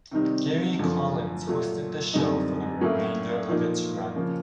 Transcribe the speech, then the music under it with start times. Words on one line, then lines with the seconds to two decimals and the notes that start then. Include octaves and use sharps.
Gary Collins hosted the show for the remainder of its run.
0.11 C3 D#3 G3 C4 D#4
0.79 F#2 D3 F3
1.47 A#2 F#3 A3
2.14 F#2 D3 G3 C4 D#4
2.81 A2 F#3 A#3 C#4 E4
3.49 A#2 F3 A#3 D#4
4.16 C#3 F3 A#3 C#4